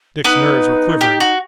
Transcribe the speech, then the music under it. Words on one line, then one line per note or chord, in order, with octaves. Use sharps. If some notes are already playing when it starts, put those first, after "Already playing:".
Dick's nerves were quivering.
B3 D#4 B4
G4
F#4